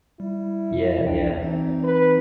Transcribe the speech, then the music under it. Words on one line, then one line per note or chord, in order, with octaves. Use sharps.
Yeah, yeah.
G3 E4
C3
C2 D4 G5
E3 C4 D#4
B4